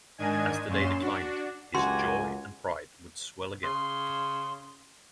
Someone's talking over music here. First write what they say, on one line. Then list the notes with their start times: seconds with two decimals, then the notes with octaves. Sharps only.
As the day declined his joy and pride would swell again.
0.18 G#2 D#3 D4 D#5 G#5 G#6
0.68 F#2 A#2 C#4 C6 E7
1.00 D4 F#4
1.74 C#2 F#2 F#4 G4 G#5 C6
3.63 C#3 C6